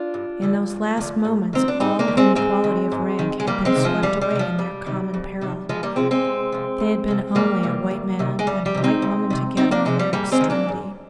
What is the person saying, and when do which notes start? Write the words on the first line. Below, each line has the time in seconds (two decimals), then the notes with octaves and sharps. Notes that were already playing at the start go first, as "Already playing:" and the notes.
In those last moments all inequality of rank had been swept away in their common peril--they had been only a white man and a white woman together in their extremity.
Already playing: D4 F4
0.14 G2
0.42 D3 F3
0.70 G2
0.97 D3 F3
1.25 G#2
1.53 D#3 C4
1.68 D4
1.80 G#2 C4 D#4
1.99 A#3 D4
2.08 D#3
2.17 G#3 C4
2.35 G#2 G#3 C4
2.64 D#3
2.92 G#2
3.19 D#3
3.40 G#3
3.47 F2 G3 A#3
3.65 G#3 C4
3.75 C3 D#3
3.84 F3 G#3
4.03 F2 G3
4.21 G3
4.30 C3 D#3
4.39 F3
4.58 F2 G3
4.86 C3 D#3
5.14 F2
5.41 C3 D#3
5.69 F2 F3 G#3
5.83 G3 A#3
5.96 C3 F3 G#3 C4
6.11 G#3 C4
6.25 F2
6.52 C3 F3
6.80 F2
7.08 C3 F3
7.35 F2 G3 A#3
7.63 C3 F3
7.91 D2
8.19 C3 D#3
8.39 G#3
8.47 D2 G3
8.66 G3
8.74 C3 D#3
8.84 C4 D#4
9.02 D2
9.30 C3 D#3
9.57 D2 C4 D#4
9.71 A#3 D4
9.85 C3 D#3 G#3 C4
9.99 G3
10.13 G#2 G3 A#3
10.32 G#3 C4
10.41 D#3
10.50 A#3 D4
10.68 G#2